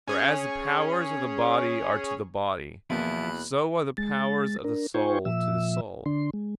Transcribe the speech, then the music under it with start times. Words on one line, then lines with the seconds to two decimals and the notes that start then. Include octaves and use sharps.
For as the powers of the body are to the body; so are the powers of the soul to the soul.
0.07 C#4 G#4 C#5
2.90 E2 B2 F3 A#3 E4 F4 B5 F#6
3.98 G#3 A6
4.64 D4 A#4
4.94 D#4 F4 C5 G5 G#5 C#6
5.25 A#2 F3 E5 E6
6.06 D3 D4 C6
6.33 G#3